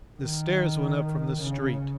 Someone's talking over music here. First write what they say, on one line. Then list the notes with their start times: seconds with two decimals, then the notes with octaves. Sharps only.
The stairs went up from the street.
0.20 D#3
1.41 C#3